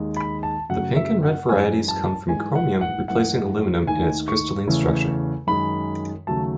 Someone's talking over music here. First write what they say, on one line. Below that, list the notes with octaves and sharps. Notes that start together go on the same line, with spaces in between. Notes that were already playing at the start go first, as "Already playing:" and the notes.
The pink and red varieties come from chromium replacing aluminum in its crystalline structure.
Already playing: D#2 D#3 G#3
B5
A5
F#2 C#3 F#3 A3 F#5
E5
F#5
F#2 E3 G#3 G#5
A5
G#2 E3 G#3 G#5
F#5
F#5
F#2 E3 A3 F#5
D#2 D#3 A3 G#5
C#6
E2 C#3 E3 A3
F#2 D#3 G#3 B5
D#2 C#3 F#3 A3 A5